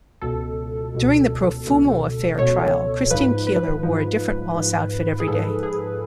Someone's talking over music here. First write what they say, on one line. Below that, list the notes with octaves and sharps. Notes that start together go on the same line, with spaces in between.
During the Profumo Affair trial, Christine Keeler wore a different Wallis outfit every day.
C#2 B2 A4
C#2 B2
C#2 B2
C#2 B2 C#5
G#2 F3 B4
B4
G#2 F3
G#2 F3
G#4
G#2 F3 A4
G#4